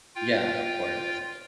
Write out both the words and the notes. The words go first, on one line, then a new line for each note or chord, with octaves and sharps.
Yeah. Of course.
F4 G5